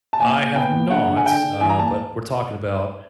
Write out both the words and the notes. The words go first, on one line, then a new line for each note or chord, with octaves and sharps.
I have not, uh, but we're talking about
A5
A#2 G#5
A#2
B3 G5
A#2
D3 F#5
D3
G#5
D3 G5
D3
E3 G#5
A#5
A#3 A5